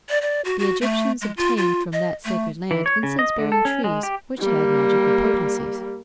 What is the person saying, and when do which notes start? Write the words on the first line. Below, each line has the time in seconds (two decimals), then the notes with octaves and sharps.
The Egyptians obtained from that sacred land incense-bearing trees which had magical potency.
0.09 D5
0.22 D5
0.45 F#4
0.59 F#4
0.81 A3
1.21 G#3
1.37 F4
1.57 F4
1.93 D#5
2.25 A3
2.71 E3
2.86 C#5
3.03 C#3
3.19 D#5
3.38 D3
3.52 A4
3.65 C#4
3.84 G#3
4.03 G4
4.39 G3 A#3